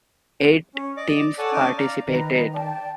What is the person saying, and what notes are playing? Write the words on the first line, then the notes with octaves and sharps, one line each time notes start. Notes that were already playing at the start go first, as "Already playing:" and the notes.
Eight teams participated.
C#4
D5 D#5 D6
A4 C#5 D5 F#5 G#5 A5
C#4 D#4 G#5 A5 D6
D5 F5 A#5
D#3 B4 D#5 A#5
D5 G5 A5